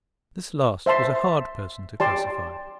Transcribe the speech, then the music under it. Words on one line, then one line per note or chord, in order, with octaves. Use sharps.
This last was a hard person to classify.
C5 E5 A5 C6
G4 D5 A5 C6